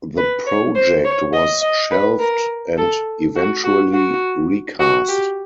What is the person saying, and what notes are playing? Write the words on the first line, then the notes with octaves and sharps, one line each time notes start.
The project was shelved and eventually recast.
B4
C#5
C5
C#5
D#5
D#5
B4
A#4
A4
F#4
F#4
F#4
F#4
G4